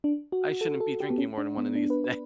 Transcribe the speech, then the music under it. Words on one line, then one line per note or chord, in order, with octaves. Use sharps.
I shouldn't be drinking more than one of these a day."
D4
F#4
A4
A4
G4
B3
C#4
D4
B3
D4
B4
B4